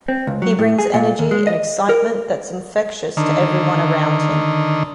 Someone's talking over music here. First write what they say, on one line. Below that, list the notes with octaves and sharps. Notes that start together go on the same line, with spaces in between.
He brings energy and excitement that’s infectious to everyone around him.
C4
C#2
F#3
A2
G#4
A#2
D#2
G#3
D#5
A#4
D3 D#3